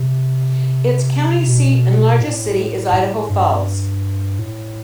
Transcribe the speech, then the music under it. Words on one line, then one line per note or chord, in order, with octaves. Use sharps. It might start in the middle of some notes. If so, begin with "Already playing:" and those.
Its county seat and largest city is Idaho Falls.
Already playing: C3
B2
A2
A2
G2
A2